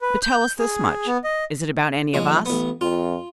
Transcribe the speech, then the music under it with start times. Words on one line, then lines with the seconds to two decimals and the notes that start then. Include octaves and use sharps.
"But tell us this much--is it about any of us?"
0.01 B4
0.23 G6
0.59 G#4
1.07 B3
1.24 D#5
2.14 A#1 G#3 C#4
2.46 A1 B3
2.81 F2 F4